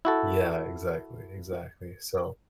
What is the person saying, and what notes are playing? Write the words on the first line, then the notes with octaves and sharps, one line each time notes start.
Yeah, exactly, exactly, so,
E4 F#4 A4